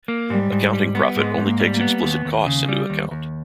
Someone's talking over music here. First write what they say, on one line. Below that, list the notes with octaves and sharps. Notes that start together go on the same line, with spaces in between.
Accounting profit only takes explicit costs into account.
A#3
G#2 G3
G#2
G3
B3
G#2 G#3
G#2
A#3
G3
A#3
B3
D#2
D#2
C#3
G3
D#2
D#2